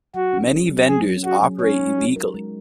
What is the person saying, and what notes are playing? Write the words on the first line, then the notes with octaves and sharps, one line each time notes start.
Many vendors operate illegally.
F#3 F#4
C#4
G#4
F#3
F#3 G#4
C#4
F#4 G#4
F#3
G#3 C#4
D#4
F#4
A#4
G#3